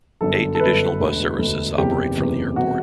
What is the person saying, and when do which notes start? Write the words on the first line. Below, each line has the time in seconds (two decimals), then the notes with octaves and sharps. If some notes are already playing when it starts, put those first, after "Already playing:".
Eight additional bus services operate from the airport.
0.21 G1 F#2 D3 A4
0.55 A4
0.60 G1 F#2 D3 B4
0.99 E1 D2 D3
1.38 E1 D2 D3
1.78 F#1 E2 C3 E3 G4
2.17 F#1 E2 C3 E3
2.56 E1 E2 C3 F#4